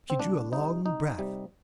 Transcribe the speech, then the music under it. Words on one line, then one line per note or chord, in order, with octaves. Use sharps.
She drew a long breath.
C4
C2 D4
C3 G3 D#4
C2 D#4
C3 G3